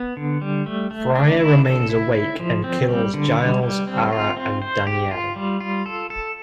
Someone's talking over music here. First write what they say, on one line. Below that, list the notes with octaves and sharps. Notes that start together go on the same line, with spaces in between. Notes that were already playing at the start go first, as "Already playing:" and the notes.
Bryagh remains awake and kills Giles, Aragh, and Danielle.
Already playing: B3
D3
G3
A3
A3
D4
E4
A4
E4
E4
F3
C4
G3
D3
G3
G3
C4
F4
C4
C5
G4
F4
G3
F4
A4
A4